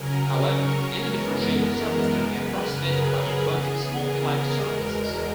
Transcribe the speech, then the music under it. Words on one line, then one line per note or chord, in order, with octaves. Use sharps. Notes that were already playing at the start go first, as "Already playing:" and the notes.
However, any differentiable surface can be approximated by a bunch of small flat surfaces.
Already playing: C#3 F#3 C#4 A#4
C#5
C#5
F#2 E3 G#3 B3 A#4
A#4
F#2 C#3 F#3 B4
A#4
G#4
C#3 E3 B3 G#4
A#4
E2 B2 G#3